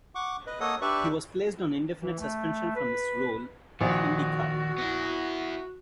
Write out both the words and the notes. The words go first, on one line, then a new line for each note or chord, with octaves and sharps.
He was placed on indefinite suspension from his role with IndyCar.
F#5 C#6 D6
B4 D#5
A#3 A4 C#5 D#5 F#5 D#6
D4 G4 B4 D5 E5 C#6
E3
A3
B4
A#1 D#3 F#4
B3 E4